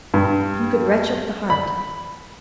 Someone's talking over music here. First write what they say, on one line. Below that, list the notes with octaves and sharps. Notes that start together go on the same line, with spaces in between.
One could retch up the heart...
G2
B5